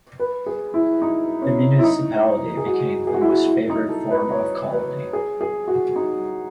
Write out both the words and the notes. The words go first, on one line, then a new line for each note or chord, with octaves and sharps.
The municipality became the most favored form of colony.
B4
G#4
E4
D#4
C#4
E4
D#4
G#4
F#4
G#4
F#4
E4
F#4
E4
D#4
A4
B4
C#5
B4
G#4
G#4
F#4
D#4